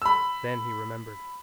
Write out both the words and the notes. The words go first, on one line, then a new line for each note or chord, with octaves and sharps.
Then he remembered.
B5 E6